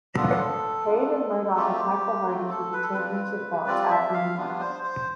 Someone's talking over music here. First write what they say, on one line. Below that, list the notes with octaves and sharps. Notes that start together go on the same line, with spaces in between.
Cade and Murdoch attacked the Hardys with the championship belts after the match.
B3 D4 F4 A4
B3 D4 F4
A3 C4 F4 G4
G4
A3 C4 F4
A4
B4
A4
G3 C4 F4 B4
G3 C4 F4 D5
E5
F5
G3 B3 D4 F4
C5
C5